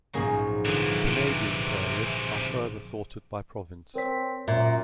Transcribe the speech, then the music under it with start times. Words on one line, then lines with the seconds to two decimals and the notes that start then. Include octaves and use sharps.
Canadian curlers are further sorted by province.
0.13 A#1 G#2 C#3 F#3 A#3 G#4
0.65 C2 D3 E3 F3
1.07 C3 E3
3.95 C4 A#4 C#5 B6
4.48 F#2 A#2 E5